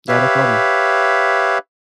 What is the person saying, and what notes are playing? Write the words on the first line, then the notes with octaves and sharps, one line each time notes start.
Yeah, no problem.
G4 B4 C#5 E5 F5